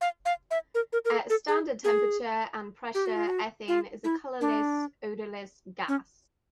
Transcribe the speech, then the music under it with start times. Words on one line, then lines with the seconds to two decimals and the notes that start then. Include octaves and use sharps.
At standard temperature and pressure, ethane is a colorless, odorless gas.
0.01 F5
0.25 F5
0.51 E5
0.75 A#4
0.93 A#4
1.05 A#4
1.11 A4
1.30 A4
1.48 G#4
1.84 G#4
2.95 G4
3.06 F#4
3.16 F4
3.27 F#4
3.68 F4
4.04 E4
4.41 D4
5.88 C#4